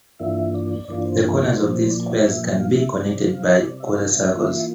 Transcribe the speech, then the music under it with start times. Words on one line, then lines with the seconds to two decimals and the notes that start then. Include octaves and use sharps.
The corners of these squares can be connected by quarter-circles.
0.19 G2 E3 A#3 D4 F4 E5
0.54 D5
0.88 G2 E3 A#3 D4 F4 D5
1.05 C5
1.23 A#4
1.40 A#4
1.57 A#2 F3 A#3 C5
1.91 D5
2.25 A#2 F3 A#3 E5
2.43 G5
2.60 F5
2.77 E5
2.93 C3 G3 C4 D5
3.28 F5
3.57 E5
3.62 C3 G3 C4 D5
3.80 E5
3.96 F5
4.13 E5
4.31 E3 A#3 F4 E5